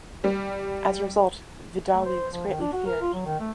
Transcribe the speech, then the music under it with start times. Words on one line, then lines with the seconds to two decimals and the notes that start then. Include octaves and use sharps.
As a result, Vidali was greatly feared.
0.24 G3
1.94 A3
2.06 C5
2.33 F3
2.48 D#3
2.60 D4
2.73 F#4
2.86 A#4
3.01 F4
3.14 F#3
3.26 D#3
3.40 A3